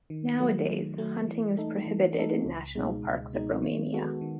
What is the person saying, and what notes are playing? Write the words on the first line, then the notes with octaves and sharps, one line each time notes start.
Nowadays, hunting is prohibited in national parks of Romania.
D#3
F#3 A3
D#3
F#3 A3
E3
A3 D#4 A4
E3
A3 D#4 A4
C#2
B2 G#3 D#4
C#2
B2 G#3 D#4
D#3
G#3 B3 F#4 A4
D#3